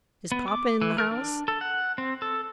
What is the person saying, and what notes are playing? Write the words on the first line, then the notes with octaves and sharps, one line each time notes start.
"Is papa in the house?"
B3
D6
E3
A#4
D4
A4
F#5
C4
A4